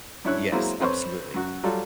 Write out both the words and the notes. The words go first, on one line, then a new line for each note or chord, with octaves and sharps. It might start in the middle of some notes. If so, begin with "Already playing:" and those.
Yes, absolutely.
F#2 D4 E4 C#5 F#6
F#3 G#3 A#3 C4 E4
F2 C4 B4 C#5 C6 C#6
F#2 F#4
F#3 G3 F4 A4